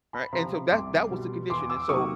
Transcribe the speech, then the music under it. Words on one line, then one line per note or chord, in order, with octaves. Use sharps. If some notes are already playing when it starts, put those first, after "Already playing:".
Right? And so that that was the condition. And so
A5 B5
C3 F3 A#5 C6
C2 C6 D6
B2 G3
E2 C6 D6
D6 E6
C3 D#3 F#3 A#3 C#6 D#6